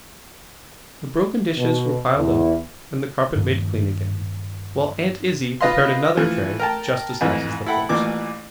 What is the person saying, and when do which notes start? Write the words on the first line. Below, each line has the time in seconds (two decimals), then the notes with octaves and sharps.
The broken dishes were piled up and the carpet made clean again, while Aunt Izzie prepared another tray just as nice as the first.
1.57 B2
2.16 E2
3.36 G2 A#2 D#3
5.61 F4 B4 D#5 F5 C6
6.17 E3 F3 A3
6.60 A#4 G5 A5
7.21 F2 G#2 E3
7.66 E4 A4 F#5 G5 B5
7.89 A1 A#2 E3 D6